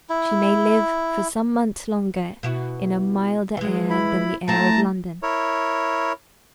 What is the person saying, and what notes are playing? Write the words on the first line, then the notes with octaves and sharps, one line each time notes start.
She may live for some months longer in a milder air than the air of London.
E4
B2 E4 F#4
E3 G#3
E4 B5
A3 C4 E4 A5 A#5
E4 A#4 C#5